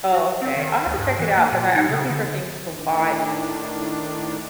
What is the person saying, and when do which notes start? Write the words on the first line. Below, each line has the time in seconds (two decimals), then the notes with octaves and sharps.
Oh, okay, I'll have to check it out 'cause I I'm looking for things to watch,
0.13 F#4
0.42 C4
0.57 D#3
0.87 D2
0.98 G2
1.19 E3
1.37 A#3
1.53 A#2
1.76 D#4
1.89 C#3
2.10 D3
2.74 A2 D#3 D4